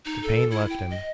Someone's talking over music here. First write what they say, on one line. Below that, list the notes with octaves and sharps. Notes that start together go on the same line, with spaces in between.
The pain left him.
D#4
A4
E4
G5
D#5